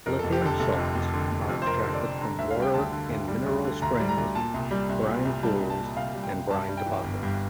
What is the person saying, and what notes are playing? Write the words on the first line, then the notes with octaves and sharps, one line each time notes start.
Lithium salts are extracted from water in mineral springs, brine pools, and brine deposits.
F2 A#4
F1 A4
G4
D3 A4
F1 A4
F2
F1
D3
F1
F2
C5
F1 A#4
D3
D5
F1
D3 A#5
D2 E5
F5
G3
G5
D2 A5
D3
D2
G3
D2
D3
D2 A#5
G3
A#5
D2
A#2 A5
C2
G3
C2
A#2
C2
G3 A5
C2
A5
A#2
C2 F5
G3
G5
C2
G2 A5
G3
G5
E3
G1
G2